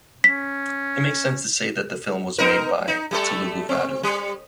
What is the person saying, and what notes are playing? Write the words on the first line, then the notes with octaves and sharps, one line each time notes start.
It makes sense to say that the film was made by "Telugu Vadu".
C#4 B6
B3 D#4 A#4
D#4
G3 A3 A4
C4
G3